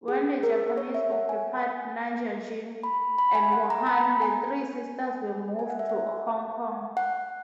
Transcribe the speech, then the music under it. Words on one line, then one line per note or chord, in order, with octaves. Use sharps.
When the Japanese occupied Nanjing and Wuhan, the three sisters moved to Hong Kong.
G#4
A#4
C#5
E5
F#5
G#5
B5
B5
G#5
F#5
A#5
B5
A#5
G#5
G#5
F#5
E5
F#5
F#5